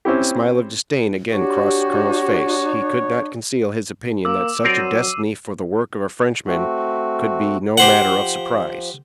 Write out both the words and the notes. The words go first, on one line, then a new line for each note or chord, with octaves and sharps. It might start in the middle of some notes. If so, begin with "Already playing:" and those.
The smile of disdain again crossed the colonel's face; he could not conceal his opinion that such a destiny for the work of a Frenchman could be no matter of surprise.
C4 C#4 E4 G4
D4 F#4 G4 C#5
A#3 D6 E6
F#3 C4 A#4 D5 C7 D#7
A3 C4 F#4
B2 G4 C5 F#5
F3